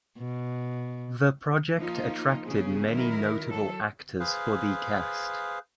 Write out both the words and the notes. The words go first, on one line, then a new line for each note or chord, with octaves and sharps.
The project attracted many notable actors for the cast.
B2
F3 A#3 D#4 F4
C#3 B3 C#4 G#4
D#3 F#3 E4 A#4
F#3 A4
G#4 B4 C5 F5